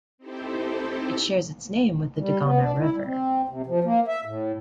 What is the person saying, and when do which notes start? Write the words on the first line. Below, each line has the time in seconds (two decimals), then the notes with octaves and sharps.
It shares its name with the Dagana River.
0.18 C4 D#4 E4 G4 A4 C5
2.18 G3
2.43 B3
2.61 D4
2.78 E4
2.93 G3
3.05 C4
3.49 C3
3.66 F3
3.84 A#3
4.08 E5
4.25 A2